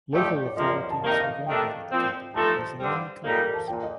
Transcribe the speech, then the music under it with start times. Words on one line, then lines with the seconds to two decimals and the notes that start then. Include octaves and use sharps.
Local authorities have renovated the temple using many colours.
0.13 F3 A3 D#4 G4 D5
0.24 D5
0.46 D5
0.57 C3 F3 A#3 D#5
0.68 D5
0.80 D5
0.90 A5
1.01 C3 D#3 A#3 D#4 A#4 F5
1.11 D#5
1.20 F5
1.45 C3 D#3 A3 D4 G5
1.91 A#2 F3 C4
2.34 G2 F3 A3 D#4 A4 A5
2.57 C5
2.79 G2 D3 G3 C4 C5
3.23 A#2 G3 A#3 D#4 A4
3.38 A#4
3.54 A5
3.68 A#2 G5
3.83 D#5